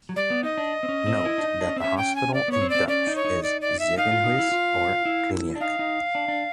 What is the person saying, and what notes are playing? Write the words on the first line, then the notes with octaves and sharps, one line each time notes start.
Note that hospital in Dutch is "ziekenhuis" or "kliniek".
F#3
G3 D5
B3
D#4 D#5
D4
C4
C#4
C4
E4
D4
D#4
D4
C#4
C4
C#4 E5
G5
G#5
D5
B3 C#5
C4
D5
C4
C#4 D5
D#4
C#5
D#4
D5
D5
E5
D#4 F5
F4
D#4
E4
F4
E4
D4
D#4 F5
D#4
D4
D4